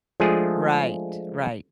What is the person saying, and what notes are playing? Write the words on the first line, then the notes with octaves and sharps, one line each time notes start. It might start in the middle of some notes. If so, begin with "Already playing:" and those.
Right, right.
F3 G#3 A3 D4 F4 G#4